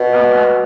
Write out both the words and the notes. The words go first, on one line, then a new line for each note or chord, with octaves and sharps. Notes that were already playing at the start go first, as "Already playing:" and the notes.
Oh wow.
Already playing: B2